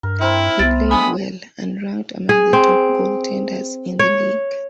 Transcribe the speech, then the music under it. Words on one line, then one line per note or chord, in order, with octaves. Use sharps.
He played well, and ranked among the top goaltenders in the league.
G2 A#4
C4 E4 A#4
C2 B3 E5 A6
D3 G#3 G#5 B5 D#6
G#4
C4
C#5